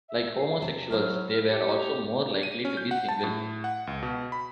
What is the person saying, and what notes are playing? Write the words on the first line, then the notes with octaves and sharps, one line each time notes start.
Like homosexuals, they were also more likely to be single.
E5
C7
C3 A5
F#3 E4 C5 C#5 F6
G4 C#7
F7
D#7
C#4
G6
F#5
A5
A2
F#5
C#2
B2
B5